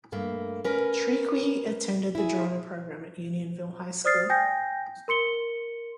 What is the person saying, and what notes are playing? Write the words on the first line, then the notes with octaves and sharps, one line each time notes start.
Chriqui attended the drama program at Unionville High School.
G2 A3 A#3
C#4 A#4 B4
E4 G#4
C5 D5 D#6 F6 A6 C7
G5 G#5 G6 A#6
A#4 C6 C#7 G7